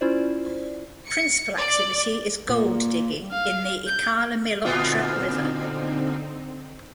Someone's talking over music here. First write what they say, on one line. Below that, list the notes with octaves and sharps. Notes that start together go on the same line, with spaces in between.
Principal activity is gold digging in the Ikalamilotra river.
C#4 E4 F4 C5 D5
C#7
D5
A#2
F5
G6
A#2 D3 B3 C4 D#4 F4